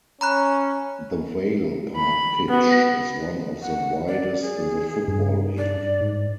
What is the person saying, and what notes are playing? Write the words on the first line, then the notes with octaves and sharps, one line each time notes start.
The Vale Park pitch is one of the widest in the Football League.
C#4 A#5 B5 F#6
B5
B3 F#4
F#5
D5
G#4
G2
D5
G#2